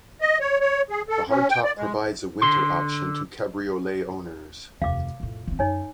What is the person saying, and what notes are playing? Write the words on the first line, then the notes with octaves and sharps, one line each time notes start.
The hardtop provides a winter option to cabriolet owners.
D#5
C#5
C#5
G#4
A4
C#4
G5
D5
G#3
D3 C6
F1 D#2 F5 D6
F2 A2
E3 C4
F#2 D#4 C#5 G#5